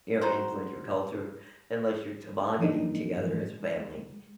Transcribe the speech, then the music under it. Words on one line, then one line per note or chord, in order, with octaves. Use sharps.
you know, influence your culture, unless you're tobogganing together as a family,
D#4 F#4 C5
E3 F3 G#3 A#3 D4 D#4
G2 E3
G#3